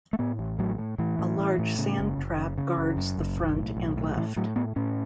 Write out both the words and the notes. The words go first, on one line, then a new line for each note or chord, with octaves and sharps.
A large sand trap guards the front and left.
A3
A2 B3
A1
A2 F#3
A2
A2 E3
A2
A2
A2
C#3
F#1
F#1
C#3
C#3
F#1
F#2
F#1
B1
A2
B1
A2
A2 E3
A2 F#3
A2 B3
A2 C#4